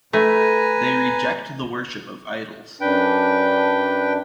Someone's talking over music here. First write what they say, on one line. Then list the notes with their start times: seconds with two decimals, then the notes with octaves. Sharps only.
They reject the worship of idols.
0.13 A3 B4 G#5 A#5
2.81 F#2 D4 B4 G5